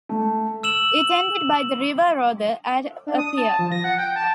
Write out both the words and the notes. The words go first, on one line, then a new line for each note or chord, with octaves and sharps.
It ended by the River Rother at a pier.
A3
E6 E7 F#7
D4
D#6
A5
F3
A#6
F#5
G5
A5